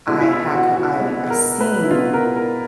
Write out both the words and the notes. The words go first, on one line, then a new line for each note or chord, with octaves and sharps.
I had co I I seen
B2 G#3 B3 E4
E4
F4
F#4
F#4
B2 G#3 B3
A#4
B4
E4
B2 G#3 B3 F4
A#4
A#4